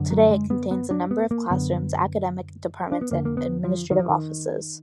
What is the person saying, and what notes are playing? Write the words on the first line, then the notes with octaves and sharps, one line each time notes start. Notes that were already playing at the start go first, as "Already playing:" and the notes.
Today, it contains a number of classrooms, academic departments, and administrative offices.
Already playing: F#2 D3
F#3
G#3
B3
B3
D4
B3
A#3
F#2 D3 B3
D4
B3
F2 D3 A#3
A#3
B3
F3
D#3
F3
D#3